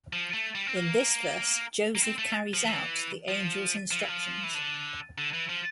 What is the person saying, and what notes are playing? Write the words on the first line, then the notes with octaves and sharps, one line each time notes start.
In this verse Joseph carries out the angel's instructions.
F3
A3
G3
C4
A#3
A#3
C4
A3
F3
E3
F3
F3
E3
F3
E3
D3
D3
E3
F3